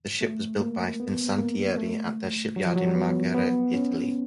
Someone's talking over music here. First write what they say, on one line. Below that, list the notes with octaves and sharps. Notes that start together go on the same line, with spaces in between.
The ship was built by Fincantieri at their shipyard in Marghera, Italy.
A3
A#3
B3
A#3
A3
F#3
F3
F#3
G3
B3
B3
C#4